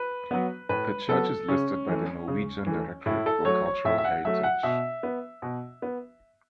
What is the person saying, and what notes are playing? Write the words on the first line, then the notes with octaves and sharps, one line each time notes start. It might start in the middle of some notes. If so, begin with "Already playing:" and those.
The church is listed by the Norwegian Directorate for Cultural Heritage.
Already playing: B4
F#3 B3
A2 B4
F#3 B3 A4
C#3 C#4
E3 A3
C#3
E3 A3
A2 E4
A4
F#3 A3 C#5
C#5
A2 E5
E5
F#5
F#3 A3 E5
F#5
B2 E5
B3
B2
B3